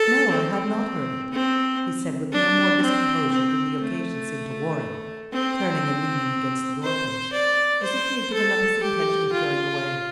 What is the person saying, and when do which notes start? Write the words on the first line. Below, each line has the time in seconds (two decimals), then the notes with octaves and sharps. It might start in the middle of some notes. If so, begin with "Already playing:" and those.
"No, I had not heard it," he said, with no more discomposure than the occasion seemed to warrant, turning and leaning against the doorpost, as if he had given up his intention of going away.
Already playing: A4
0.31 C4
1.32 C4
2.32 D4
2.82 C4
3.32 C4
3.82 A3
5.32 C4
6.83 C5
7.33 D5
7.83 C5
8.33 A4
8.83 G4
9.32 F4